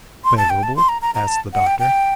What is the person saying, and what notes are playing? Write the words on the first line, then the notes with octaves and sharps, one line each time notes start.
"Favorable?" asked the Doctor.
C6
A5
G5
A5
C6
A#5
A#5
A#5
A5
F#5
G5
G5